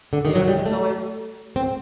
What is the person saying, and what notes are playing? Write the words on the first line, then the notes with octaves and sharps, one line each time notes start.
Yep, it's always
D3
D#3
F#3
G3
A3
C4